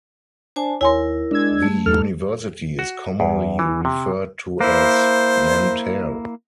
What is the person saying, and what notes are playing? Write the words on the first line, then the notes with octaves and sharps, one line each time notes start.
The university is commonly referred to as Nanterre.
D4 C5 G#5 A5
D#2 E4 A#4 C#5 G#5 C6
G#3 D4 E6 G#6
A3
E2 D#4 A4 F6
F#4
E2
E3
C3
A#3 E4 C5